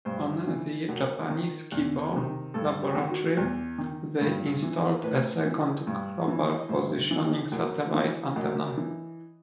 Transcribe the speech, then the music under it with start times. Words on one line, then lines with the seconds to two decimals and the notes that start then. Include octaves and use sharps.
On the Japanese "Kibo" laboratory they installed a second Global Positioning Satellite antenna.
0.05 G2 C5
0.47 E3
0.89 F#2
1.30 D#3
1.72 E2
2.14 C3 D#3
2.54 G2 A4
2.82 G4
2.95 D#3
3.10 F#4
3.37 E2
3.78 D#3
4.21 G2
4.62 E3
5.03 A2 B4
5.46 E3
5.87 G2
6.28 E3
6.58 D#5
6.69 G2 C5
7.11 E3
7.52 F#2
7.94 E3
8.36 F#2 D#5
8.77 E3